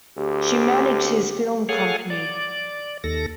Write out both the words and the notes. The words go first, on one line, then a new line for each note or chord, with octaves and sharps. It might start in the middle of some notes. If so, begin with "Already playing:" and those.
She managed his film company.
D2 G4
G#4 A4 C#5 F5 F#5 G#5
D5
D#2 A4 A#6